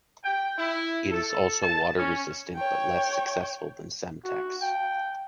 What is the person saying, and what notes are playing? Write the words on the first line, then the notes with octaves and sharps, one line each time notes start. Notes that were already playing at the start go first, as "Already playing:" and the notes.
It is also water resistant, but less successfully than Semtex.
G5
E4
A4
A5
C#4
C#5 G5
F#4
G5